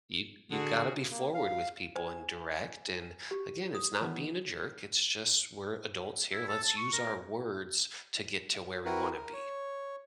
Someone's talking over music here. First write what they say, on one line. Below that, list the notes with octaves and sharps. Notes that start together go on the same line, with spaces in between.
Y you gotta be forward with people and direct. And, again, it's not being a jerk. It's just we're adults here. Let's use our words to get to where we wanna be.
D3 F#4 G#4
A#3
F5
C5 G#5
G4
D#6
D#3 E3 B3
E4
A4
A5
C#6
A#4
C4 E4 F#4 A#4 B4
A#4
C#5